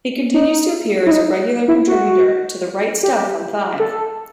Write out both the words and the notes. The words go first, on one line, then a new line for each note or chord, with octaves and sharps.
He continues to appear as a regular contributor to "The Wright Stuff" on Five.
D#4
E4
D#4
E4
F#4
G4
A4